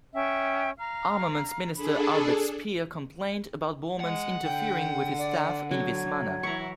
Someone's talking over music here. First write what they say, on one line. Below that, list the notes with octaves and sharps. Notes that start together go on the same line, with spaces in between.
Armaments Minister Albert Speer complained about Bormann's interfering with his staff in this manner.
C#4 E5 G5
F5 A#5
D4 G#4 A4 B5
G#3 F#5
D3 G5
D5
F#3 G#6
E3 E4 A#5 C#6